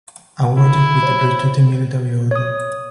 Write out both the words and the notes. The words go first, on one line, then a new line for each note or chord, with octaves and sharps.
Awarded with the Virtuti Militari Order.
D3 E4
C5 C#5
C#5 D#6